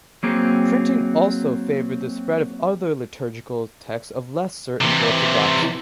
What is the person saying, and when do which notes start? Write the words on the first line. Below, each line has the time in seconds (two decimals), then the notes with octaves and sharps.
Printing also favoured the spread of other liturgical texts of less certain orthodoxy.
0.23 F#3 A#3 C4 G#4
4.81 C3 E3